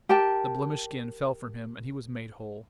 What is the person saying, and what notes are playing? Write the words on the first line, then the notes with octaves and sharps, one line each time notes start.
The blemished skin fell from him, and he was made whole.
G4 A#4 G5 A5